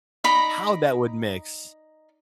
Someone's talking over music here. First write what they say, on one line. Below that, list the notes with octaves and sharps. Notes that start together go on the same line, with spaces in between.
how that would mix.
D#4 D5 A#5 B5